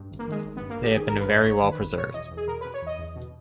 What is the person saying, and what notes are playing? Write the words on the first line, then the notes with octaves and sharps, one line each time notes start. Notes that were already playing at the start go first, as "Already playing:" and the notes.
They have been very well preserved.
Already playing: G2
G#1
A#3
D#3 G#3
G#1
B3
G2
A#3
G#1 G4
D#3 G#4
A#4
G#1
B4
G2 D#5
G#1 C#5
D#3
B4
G#1
B2 C#5
E2 D#5
E2
G#4
B2 A#4
B4
B2
C#5
E2 D#5
E2
B2